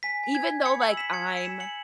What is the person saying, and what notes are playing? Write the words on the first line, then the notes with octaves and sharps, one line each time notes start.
Even though, like, I'm
G#5 B6
G#5
G#6
G#5
B5 G#6 C#7
C#7 F#7
E6
B6 E7
G#5
G#6 C#7
E6 B6
C#7
G#5 B6 E7
C#7 F#7